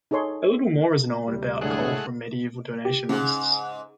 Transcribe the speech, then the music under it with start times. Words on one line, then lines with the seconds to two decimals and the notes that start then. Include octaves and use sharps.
A little more is known about Kol from medieval donation lists.
0.11 D#4 G#4 A4 C#5 C6
1.28 D2 C3 G3
1.61 A2 D3 G#3 A3 G#4 F#5
2.85 G4
3.09 G#2 C#3